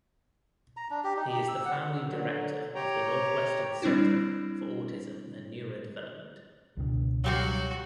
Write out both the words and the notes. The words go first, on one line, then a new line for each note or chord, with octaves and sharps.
He is the founding director of the Northwestern Center for Autism and Neurodevelopment.
A#5
D4
G4
D#4
G4
E6
F#5
D3 F#3
G4 C#5 G5 A#5
G3 C4 D4 E4 F#4
C#2 B2 D3
F#3 F#4 G4 F5